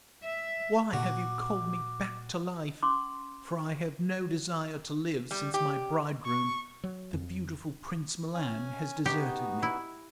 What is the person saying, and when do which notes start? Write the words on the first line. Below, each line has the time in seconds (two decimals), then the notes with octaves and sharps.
'Why have you called me back to life? For I have no desire to live since my bridegroom, the beautiful Prince Milan, has deserted me.'
0.23 E5
0.93 A#2 F#4 D6
2.83 C#4 C6 D6
5.31 G3
5.54 G4
6.25 C#6
6.84 F#3
7.13 F2
8.34 C#4 G#5
9.06 B3 D#4 F#4 G4
9.63 E4